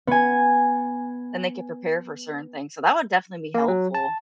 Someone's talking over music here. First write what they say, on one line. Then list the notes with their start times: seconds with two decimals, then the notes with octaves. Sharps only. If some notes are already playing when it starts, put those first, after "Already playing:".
then they could prepare for certain things, so that would definitely be helpful.
0.07 B3 G#5
3.54 A#3
3.68 F#3
3.95 A5